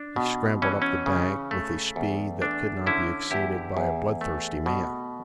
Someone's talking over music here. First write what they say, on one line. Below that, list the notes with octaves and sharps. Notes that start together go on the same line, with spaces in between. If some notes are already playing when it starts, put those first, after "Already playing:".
He scrambled up the bank with a speed that could not be exceeded by a bloodthirsty man.
Already playing: D4
B2
E3 C#4
C#4
C#3
A3
E2
A3 D4
D3 C#4 E4
E2 E4 G4
E2
A3
B2